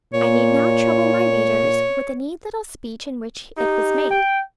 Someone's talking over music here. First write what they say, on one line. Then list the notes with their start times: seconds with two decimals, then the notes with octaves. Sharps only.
I need not trouble my readers with the neat little speech in which it was made.
0.14 A#2 C#5
3.57 D#4 G4
4.11 G5